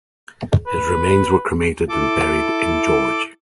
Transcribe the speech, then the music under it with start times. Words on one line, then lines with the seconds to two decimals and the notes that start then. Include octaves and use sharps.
His remains were cremated and buried in George.
0.67 B4
1.89 E4 A4 D6